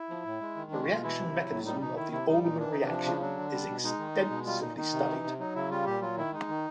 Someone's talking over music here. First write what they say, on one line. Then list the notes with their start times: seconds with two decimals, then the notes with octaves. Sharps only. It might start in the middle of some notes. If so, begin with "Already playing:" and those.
The reaction mechanism of the Ullmann reaction is extensively studied.
Already playing: E4
0.10 F3
0.25 A2
0.41 G#3
0.56 D#3
0.71 G#3 D4
0.83 B2 F#4
0.92 F4
1.03 E3 E4
1.19 C3
1.34 F#3
1.50 A2
1.66 G3 D#4
1.81 B2 D#4
1.96 D#3 E4
2.12 C3 E4
2.27 G3 D#4
2.43 A#2 D#4
2.59 E3 D4
2.71 C3 D#4
2.84 D4
2.90 F3
3.06 C#3
3.21 F#3 D4
3.37 D3
3.52 G3
3.68 B2
3.83 G#3 D#4
3.99 D#3
4.15 G#3
4.30 B2
4.46 G3 F4
4.62 A#2 D#4
4.77 D#3 D#4
4.93 C3
5.08 E3
5.24 C3
5.39 F#3 D#4
5.55 C#3 E4
5.71 G3 F4
5.86 A#2 G4
6.01 F#3 F4
6.17 D#3 E4
6.33 G#3 D#4
6.49 D#3